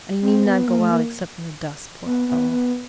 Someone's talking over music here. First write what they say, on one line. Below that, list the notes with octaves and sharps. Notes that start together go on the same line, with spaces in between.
'And he need not go out, except in the dusk, poor fellow!'
C4
B3
A#3
A3
A#3
B3
B3
B3